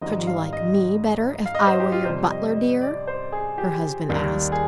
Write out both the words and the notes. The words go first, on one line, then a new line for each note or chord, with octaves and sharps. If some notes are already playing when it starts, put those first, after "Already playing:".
"Should you like me better if I were your butler, dear?" her husband asked.
G#1 G#2 G3 D#5
F5
D#5
F5
D#5
C5
G4
F4
F2 C3 G3 C5
D#5
D#5
D5
C5
G#4
G4
D#2 D#3 G3
G#4